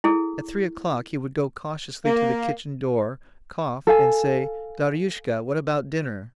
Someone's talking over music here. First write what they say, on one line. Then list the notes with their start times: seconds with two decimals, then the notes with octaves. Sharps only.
At three o'clock he would go cautiously to the kitchen door; cough, and say, "Daryushka, what about dinner? . ."
0.04 E4 G#4 A4
2.05 A#3
3.87 A4 F5 G#5